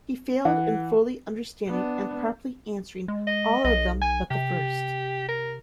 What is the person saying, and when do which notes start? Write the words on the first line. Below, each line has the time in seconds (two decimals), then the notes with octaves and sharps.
He failed in fully understanding and properly answering all of them but the first.
0.45 E3 F#5
1.67 B3 D4
3.08 G#3
3.27 D#5
3.64 B1 D#5
4.01 G#5
4.31 C3 G4
5.28 A#4